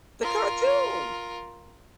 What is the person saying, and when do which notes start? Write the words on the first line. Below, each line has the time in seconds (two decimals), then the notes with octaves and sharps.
The cartoon.
0.22 F4 A#4